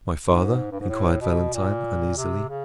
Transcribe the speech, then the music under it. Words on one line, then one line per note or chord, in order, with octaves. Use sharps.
"My father?" inquired Valentine, uneasily.
G#2
G2
G#2
A2
B2
A#2
C3
C#3